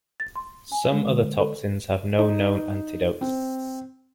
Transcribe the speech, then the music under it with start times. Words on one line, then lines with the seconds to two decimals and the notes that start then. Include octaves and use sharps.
Some other toxins have no known antidote.
0.20 A6
0.36 C6
0.72 G#5
0.92 G#3
1.07 D3
1.39 A4
2.19 D#4
3.21 C4